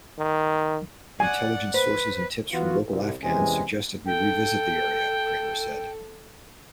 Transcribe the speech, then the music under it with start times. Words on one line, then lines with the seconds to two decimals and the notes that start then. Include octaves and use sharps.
"Intelligence sources and tips from local Afghans suggested we revisit the area," Cramer said.
0.19 D#3
1.20 D5 F#5 G#5
1.74 B4 C5
2.52 E3 B3 F4 F#4
2.89 C2
3.22 E2 C3 G#3 B3 C#4 G#5
4.06 A4 G5